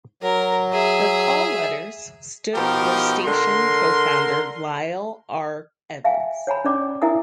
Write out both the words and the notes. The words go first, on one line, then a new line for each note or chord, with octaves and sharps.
The call letters stood for station co-founder Lyle R. Evans.
F#3 A#4
G#4 E5
B2 F3 D#4 G4 A#4
D3 A#4 C6
E5 F5 G5 G#5
C#5 F#5 G#5 B5
C#4 C#5 D5 D6
E4 A#4 E5 F#5 G#5 D#6